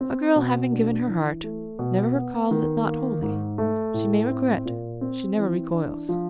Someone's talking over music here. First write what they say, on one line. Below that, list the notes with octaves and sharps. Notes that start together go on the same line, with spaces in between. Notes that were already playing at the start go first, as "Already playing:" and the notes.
A girl, having given her heart, never recalls it not wholly: she may regret; she never recoils.
C4
B2
D4
E3
A3
B2
B3
D#3
A#3
G#2
A3
A2
C4
A#2
C4
E3
D4
F3